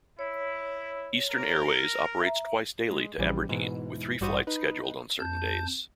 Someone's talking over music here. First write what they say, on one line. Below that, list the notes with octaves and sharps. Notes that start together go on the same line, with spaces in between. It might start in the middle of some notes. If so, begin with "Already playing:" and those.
Eastern Airways operates twice daily to Aberdeen with three flights scheduled on certain days.
E4 C#5
A#4
E5 A#5
G#3
A#1 C#3 E3 G3
E2 G#2 B2 E3
A1 G2 G3 F#4 C5 D#6
D#4 B4
F2 A5 G6